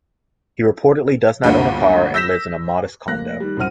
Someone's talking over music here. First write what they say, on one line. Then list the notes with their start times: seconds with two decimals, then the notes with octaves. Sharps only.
He reportedly does not own a car and lives in a modest condo.
1.43 G1 D2 D3 A#3 F#5
2.14 E6 G6 A#6 B6 E7
3.08 F1 A#3 F#6 A#6
3.40 D#3 G3
3.57 C2 F#2 C5 F#5 F6 D#7